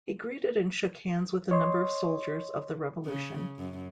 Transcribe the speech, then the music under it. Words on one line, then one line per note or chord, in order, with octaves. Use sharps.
He greeted and shook hands with a number of soldiers of the Revolution.
C#5 D#5 C6
C#3
F#2